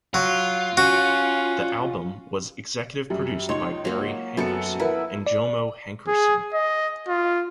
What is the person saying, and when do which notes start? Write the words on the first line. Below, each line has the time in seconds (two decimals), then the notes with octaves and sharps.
The album was executive produced by Barry Hankerson and Jomo Hankerson.
0.14 F#3 F4
0.77 C#4 F#4
3.10 F#2 G3
3.49 C#2 D#4 C#5 C6
3.85 F#3 A#3
4.37 F#2 B3 A4 C#7
4.80 E4 A#4 B4 F#5
5.27 D5
6.08 G#4
6.54 D#5
7.08 F4